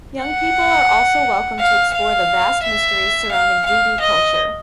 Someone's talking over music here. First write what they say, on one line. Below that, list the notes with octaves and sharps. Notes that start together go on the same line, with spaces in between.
Young people are also welcome to explore the vast mysteries surrounding Voodoo culture.
F#5
F5
F5
E5
F5
F5
D#5